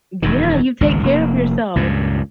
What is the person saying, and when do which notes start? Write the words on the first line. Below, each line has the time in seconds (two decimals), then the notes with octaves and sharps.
D yeah, you take care of yourself.
0.22 E1 F#2 D#3
0.81 G#1 C#2 G#2
1.03 F1 A#3
1.76 C#2 G2 A#2